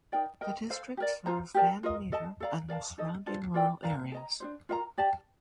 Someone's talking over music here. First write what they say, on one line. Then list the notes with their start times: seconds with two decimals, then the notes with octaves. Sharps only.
The district serves Van Meter and the surrounding rural areas.
0.12 D#4 A#4 D5 G5
0.41 A#4 D#5 G5
0.70 A4 C5 F5
0.97 G4
1.00 A#4 D5
1.26 F4 C5 F5 A#5
1.54 G4 A#4 D5 A5
1.83 F4 A#4 D#5
2.12 A4 D#5 A5
2.40 A4 D5 F5 A#5
2.68 A#4 D5 F5 A5
2.98 D#4 A4 D#5
3.26 D4 F4 A4 C5
3.54 F4 A#4 D5 G5
3.83 A#4 D5 F5 A#5
4.12 A4
4.14 D#5 A#5
4.40 D4 F4 C5
4.69 F4 A#4 F5 A#5
4.98 G4 D5 A5